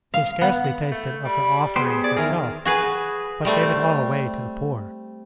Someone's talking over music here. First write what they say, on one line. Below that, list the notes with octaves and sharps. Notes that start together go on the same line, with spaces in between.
She scarcely tasted of her offering herself, but gave it all away to the poor.
F5
B3
F#5
A3
G3 B5
B3 G4 G#4 C5
D5
E2 D#3 G#4 A#4 E5
F#4 G#4 B4
G3 A3 C4